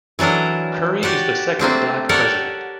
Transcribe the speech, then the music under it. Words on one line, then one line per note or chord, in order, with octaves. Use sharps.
Curry is the second Black president.
E3 F#3 D4 A4 A#4
F#4 G4 D5 F#5
A3 A#3 C4 D4
G4 A4 A#4 C#5 D5 F#5